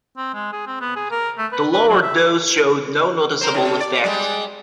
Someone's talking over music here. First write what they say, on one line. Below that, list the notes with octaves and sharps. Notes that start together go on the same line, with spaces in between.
The lower dose showed no noticeable effect.
C4
G#3
G#4
C4
B3
G#4
A#4
A3
B4
B4
F#3
E5
C#3 A#4 C5
A2 C#3
D5
G3 G#3 D5